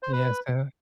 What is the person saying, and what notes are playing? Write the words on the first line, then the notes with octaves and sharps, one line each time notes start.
Yeah, so
C5
B4